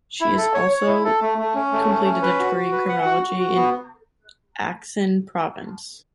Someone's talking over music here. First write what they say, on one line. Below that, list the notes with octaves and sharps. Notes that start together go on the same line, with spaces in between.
She is also completed a degree in criminology in Aix-en-Provence.
E4
A4
C#5
C#5
E4
A4
A3
A3
C#4
A3
C#4
C#4
B4
F#4
F#4
B4
F#5
F#4
F#4
F#4
B3